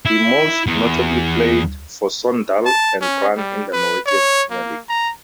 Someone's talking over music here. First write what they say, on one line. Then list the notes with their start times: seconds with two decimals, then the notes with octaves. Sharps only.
He most notably played for Sogndal and Brann in the Norwegian Premier League.
0.06 E4
0.67 E2
2.65 A5
3.01 C#4
3.37 G3
3.73 B4
4.06 C#5
4.50 A#3
4.89 A#5